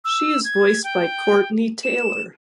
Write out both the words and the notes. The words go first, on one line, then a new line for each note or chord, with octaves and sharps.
She is voiced by Courtenay Taylor.
E6
G#6
G5
E7